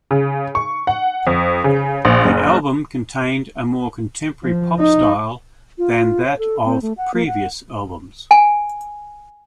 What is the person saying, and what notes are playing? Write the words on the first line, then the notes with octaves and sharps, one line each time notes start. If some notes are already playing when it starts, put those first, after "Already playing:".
The album contained a more contemporary pop style than that of previous albums.
C#3
C#6
F#5
F2
C#3
A#1
F#1
F3
D#4
F4
C#5
A4
C4
A3
F#5
A#3
F#5
G#5